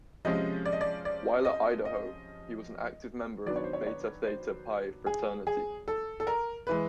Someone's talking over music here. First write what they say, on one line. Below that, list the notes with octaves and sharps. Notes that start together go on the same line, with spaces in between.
While at Idaho, he was an active member of Beta Theta Pi fraternity.
C3 F3 G#3 C#4 D#5
D5
D#5
D5
D5
D#5
D#5
D#3 F#3 B3 D4 D5
C#5
C5
C#5
C#5
C5
G#4
G#4
A4
A4
A#4
E3 G#3 B4